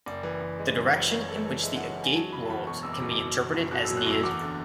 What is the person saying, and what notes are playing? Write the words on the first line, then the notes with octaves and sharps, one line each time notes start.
The direction in which the agate rolls can be interpreted as needed.
F#1 D5
E3
F#1
G#3
F#2
F#1
F#2 C#5
E3 A4
E3 A4
G#3 E5
F#2 F#5
F#5
G#3
G#5
F#3 A5
F#1 B5
A5
E2 B5
B2 C#6
F#1 E6
D6
B2
D6
F#1 E6
B2
F#1
B2 F#6
F#3 E6
F#6
F#1 E6
E2 D6
D3